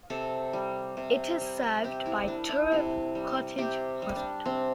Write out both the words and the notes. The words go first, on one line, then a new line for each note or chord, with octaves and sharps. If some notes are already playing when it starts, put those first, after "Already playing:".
It is served by Turriff Cottage Hospital.
C3 A4
G3
C3
G3
C3 G4
E4
G3 D4
E4
C3
G3
C3 G4
G3
D4
C3 C4